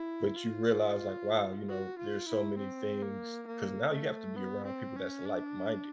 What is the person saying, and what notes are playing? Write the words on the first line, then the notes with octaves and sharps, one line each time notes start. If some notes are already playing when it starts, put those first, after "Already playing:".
But you realize, like, "Wow, you know, there's so many things" 'cause now you have to be around people that's, like-minded
Already playing: E4
F4
F#4
F4
E4
C4
A#3
A#3
A3
B3
C4
C#4
D4